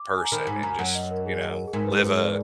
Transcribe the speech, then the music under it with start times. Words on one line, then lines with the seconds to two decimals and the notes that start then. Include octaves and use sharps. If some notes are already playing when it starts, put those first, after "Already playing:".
person and just, you know, live a
Already playing: D6
0.17 G#5
0.24 A#5
0.32 D#3 B5
0.47 G#2
0.55 G#5
0.63 F#2 A#5
0.70 G#5
0.79 F#2 F#5
0.95 D#5
1.10 A#4
1.26 G#4
1.68 G#4
1.73 G#2 A#4
1.85 B4
1.97 A#4
2.09 G#4
2.20 D5